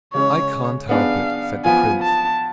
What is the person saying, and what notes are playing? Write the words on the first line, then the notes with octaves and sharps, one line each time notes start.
"I can't help it," said the prince.
C#3 G#3 C#4 C#5
B3 D4 G#4 F5
F3 B3 F4 G#5
A5